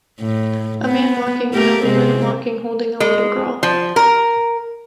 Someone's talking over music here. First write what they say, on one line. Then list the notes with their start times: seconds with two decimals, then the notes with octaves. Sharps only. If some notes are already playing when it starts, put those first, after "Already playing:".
A man walking and a woman walking holding a little girl.
0.21 A2
0.85 B3
1.54 A3 G4 A#4
1.84 C3 G#3 C4
3.00 G#3
3.63 F3
3.96 A#4